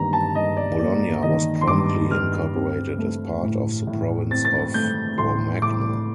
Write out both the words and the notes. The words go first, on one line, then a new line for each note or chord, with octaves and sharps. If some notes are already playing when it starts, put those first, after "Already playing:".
Bologna was promptly incorporated as part of the province of Romagna.
Already playing: G2 D#3 A#3 A#5
A5
G2 D#5
D5
A#3 D5
D#3 D#5
C6
G2 D6
G2 F6
C4
A3
A2
A2
C4 A6
A6
A3 G6
A2 C6
A2 D6